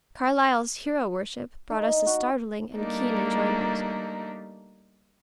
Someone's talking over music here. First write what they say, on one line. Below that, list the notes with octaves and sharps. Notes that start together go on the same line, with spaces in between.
Carlyle's "Hero-Worship" brought us a startling and keen enjoyment.
D#4
D#5
F#4
G3 A3 A#3 D4 D#4